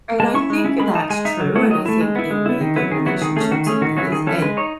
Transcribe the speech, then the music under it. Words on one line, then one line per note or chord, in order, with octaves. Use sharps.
And I think that's true, and I think in really good relationships it is, and
G#3 A5
C#4 E4 C#6
G#3
C#4 E4
G#3 B5
D#4 A5
G#3 G#5
D#4 E5
F#3
A3 E4 C#5
F#3 D#5
A3 E4
G#3
B3 E4
G#3
B3 E4
D#3
F#3 B3 E4 B4
D#3 G#4
F#3 B3 E4 F#4
D#3 G#4
A3 C#4 G#4
D#3 F#4
A3 C#4 G#4
D#3 F#4
F#3 C#4 E4 F#4
D#3 G#4
F#3 C#4 E4 A4
G#3 B4
D#4 C#5